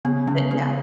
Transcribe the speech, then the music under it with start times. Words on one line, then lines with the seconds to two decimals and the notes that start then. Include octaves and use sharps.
but yeah.
0.05 C#3 B3
0.27 C#3 C#4
0.51 G#3 B3